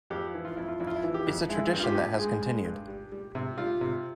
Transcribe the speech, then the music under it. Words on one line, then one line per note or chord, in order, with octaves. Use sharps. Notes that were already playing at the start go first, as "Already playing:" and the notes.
It's a tradition that has continued.
F2 G4
E3
F4
F2 E4
F4
F2 E4
F4
E4
E3
G4
F2
G#3 E4
G2
F4
G4
G2
G#3 G#4
G#3
G2
G3
G3
C3
G3 F4
C3